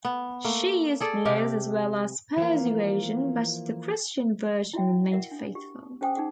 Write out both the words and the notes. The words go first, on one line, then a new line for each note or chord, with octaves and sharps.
She used blows as well as persuasion, but the Christian virgin remained faithful.
B3
A3 A#3
G#4 A4 D5
C3 G4 F5
E3 F3 A#3
E4 F#4 E5 G5
A#4 E5 F#5
D4
G4
C#4 G#4 C5 G5 G#5 D#6
D#4 G#4 F#5